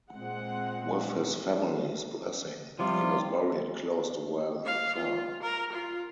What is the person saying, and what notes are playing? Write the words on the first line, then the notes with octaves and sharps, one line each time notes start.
With his family's blessing, he was buried close to where he fell.
A#2 G#3 C4 F#5
C3 F3 G3 F4
F5
F4
A#4
F4